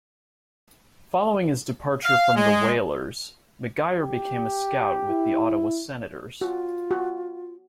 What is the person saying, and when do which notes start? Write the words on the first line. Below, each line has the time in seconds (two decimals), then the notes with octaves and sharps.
Following his departure from the Whalers, McGuire became a scout with the Ottawa Senators.
2.04 F5
2.36 G#3
4.01 G4
5.10 E4
6.41 F4 F#4
6.91 F#4